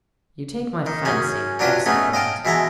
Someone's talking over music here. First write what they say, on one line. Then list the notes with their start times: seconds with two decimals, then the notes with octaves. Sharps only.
You take my fancy; that's the point!
0.86 D#3
1.05 F#2 C#4 G#4
1.59 F#3 D4 F4 G4 B4 C5
1.86 A3 B3 C#4 D#4 G#4
2.13 D#5 F5 G5 A5
2.45 B2 E3 G#3 E5 A5 A#5